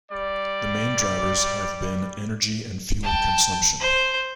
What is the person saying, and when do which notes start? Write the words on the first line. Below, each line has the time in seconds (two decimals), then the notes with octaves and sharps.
The main drivers have been energy and fuel consumption.
0.11 G3 D5
3.03 G5 A5
3.80 C5